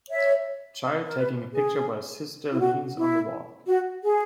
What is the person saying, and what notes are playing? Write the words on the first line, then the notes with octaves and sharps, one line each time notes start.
Child taking a picture while sister leans on the wall.
C#5 E5
A#4
B4
G#4
E4
F#4
E4
F#4
G#4